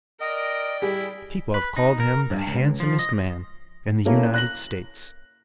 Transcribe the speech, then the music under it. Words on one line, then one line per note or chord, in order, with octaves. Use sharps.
People have called him the handsomest man in the United States.
A#4 D5 D#5 G5
G3 E4 G4 G#4
B4
D#4
A#4
G2
C#2
F3
D#5
A#3 C#4 E4 A4
F#6 A#6 F#7